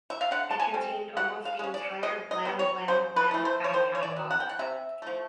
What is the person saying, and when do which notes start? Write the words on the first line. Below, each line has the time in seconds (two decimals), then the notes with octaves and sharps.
It contained almost the entire Blam Blam Blam back catalogue.
0.10 E5
0.21 F5
0.31 D3 F#5
0.51 A5
0.60 G#5
0.74 G3 C4
1.17 B2 F#5
1.45 F5
1.59 G#3 C#4
1.74 D5
2.03 B2 D#5
2.31 D#5
2.45 G3 B3
2.59 C#5
2.88 C#3 C5
3.16 B4
3.31 E3 A3
3.45 C5
3.64 C#5
3.73 D#3 C5
3.95 C#5
4.03 D5
4.16 F#3 B3
4.31 F#5
4.40 G5
4.49 F#5
4.59 C3 E5
5.02 F3 A3